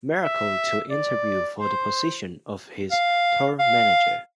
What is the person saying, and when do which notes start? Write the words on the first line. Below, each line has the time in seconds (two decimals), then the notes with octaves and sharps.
Miracle to interview for the position of his tour manager.
0.23 E5
0.90 D5
1.57 C5
2.91 F5
3.59 F5